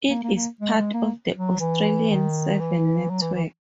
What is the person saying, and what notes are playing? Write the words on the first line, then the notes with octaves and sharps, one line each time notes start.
It is part of the Australian Seven Network.
A#3
A#3
A#3
G#3
G#3
A#3
F#3
E3
D#3
E3
F#3
E3
E3